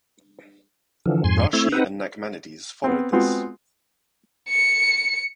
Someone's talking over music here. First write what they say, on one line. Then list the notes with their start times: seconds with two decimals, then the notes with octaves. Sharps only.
Rashi and Nachmanides followed this.
1.06 D3 E3 F3
1.24 F2 G#2 G#5 C6
1.53 A3 C4 E4
1.72 C4 D#4 B4 F#5
2.84 B3 C4
3.12 G#3 B3 C4 F4 F#4
4.49 C#7